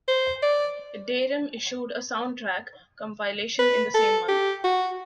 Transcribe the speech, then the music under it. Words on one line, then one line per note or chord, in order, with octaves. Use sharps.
Deram issued a 'soundtrack' compilation in the same month.
C5
D5
B4
A4
G4
F#4